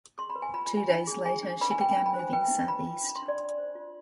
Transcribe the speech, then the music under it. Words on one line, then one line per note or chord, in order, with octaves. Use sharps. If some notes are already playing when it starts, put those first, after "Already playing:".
Two days later, she began moving southeast.
G#4 C6
B5
B4
G#5
F4 B5
B5
F4
G#5
D#4 G#5
G#4
G#4 G#5
D4
B4 B5
G#5
B4 G5
G#5
D4
B5
C5 G#5
B4 G5
D#4
F4 B5
F4
D4
B5
C6
D4
D5
D4
C5
F4